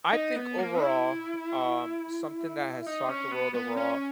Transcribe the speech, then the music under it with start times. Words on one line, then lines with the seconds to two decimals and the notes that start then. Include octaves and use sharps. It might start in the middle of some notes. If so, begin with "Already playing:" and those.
I think overall, um, something that has shocked the world overall
0.13 D#4
0.36 B3
0.58 A#3
0.81 E4
2.87 D#4
3.09 C#4
3.32 B3
3.54 B3
3.77 C#4